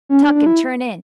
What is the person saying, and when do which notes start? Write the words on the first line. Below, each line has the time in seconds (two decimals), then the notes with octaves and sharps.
Tuck and turn in.
0.09 C#4
0.23 D4
0.35 D4
0.46 E4